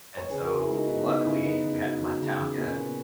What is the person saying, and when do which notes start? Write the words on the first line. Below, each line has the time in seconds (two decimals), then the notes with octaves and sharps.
And, so, luckily we hadn't left town yet,
0.17 C#5
0.30 C#3 G#4 B4
0.44 C#3 F#4 A#4
0.58 E4 G#4
0.68 G#3 D#4 F#4
0.88 G#3 B3 D#4
1.06 C#3 B3 D#4
1.25 C#3 C#4 E4
1.44 C#3 B3 D#4
1.63 C#3
1.82 F#3
2.01 F#3
2.20 C#3
2.39 C#3
2.58 A#2 B3
2.66 C#4
2.74 A#2 B3